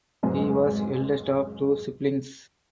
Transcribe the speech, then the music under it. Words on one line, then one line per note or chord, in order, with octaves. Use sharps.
He was eldest of two siblings.
F1 G#2 F#3 G#3 C4